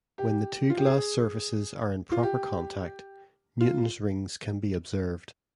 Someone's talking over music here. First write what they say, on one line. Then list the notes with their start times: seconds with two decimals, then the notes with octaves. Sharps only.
When the two glass surfaces are in proper contact Newton's rings can be observed.
0.18 G4
0.70 F4
0.77 G4
0.86 G#4
2.12 F4
2.23 G4
3.61 F4